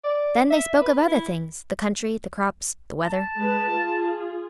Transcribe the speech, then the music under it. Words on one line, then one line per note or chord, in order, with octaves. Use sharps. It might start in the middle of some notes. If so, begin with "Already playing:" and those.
Then they spoke of other things: the country, the crops, the weather.
D5
E5
B4
E4
A5
G#3 B4
F4 G#4